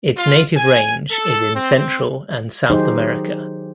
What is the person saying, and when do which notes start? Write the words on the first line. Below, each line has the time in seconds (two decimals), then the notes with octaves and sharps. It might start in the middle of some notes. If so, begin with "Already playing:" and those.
Its native range is in Central and South America.
0.17 F4
0.56 G#5
1.11 A4
1.54 C4
2.70 D#3 F#3 D#4 G4 G#4 C5